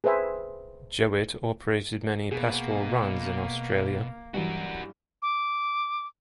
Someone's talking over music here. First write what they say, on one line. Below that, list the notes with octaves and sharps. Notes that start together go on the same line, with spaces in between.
Jowett operated many pastoral runs in Australia.
G#4 B4 C5 E5 G#5
B2 A#3 G#4
G2 E3 F#3 F#4 A#4
D6